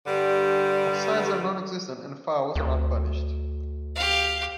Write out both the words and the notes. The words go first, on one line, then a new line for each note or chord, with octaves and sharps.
Offsides are non-existent and fouls are not punished.
G2 D3 G3
D2
G4 F5